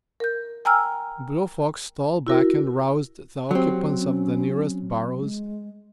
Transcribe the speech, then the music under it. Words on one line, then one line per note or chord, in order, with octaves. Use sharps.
Blue Fox stole back and roused the occupants of the nearest burrows.
A#4 G6
G5 G#5 A#5 E6 F6
E4 F#4 A#4
F#3 C4 G4
C#4
G#3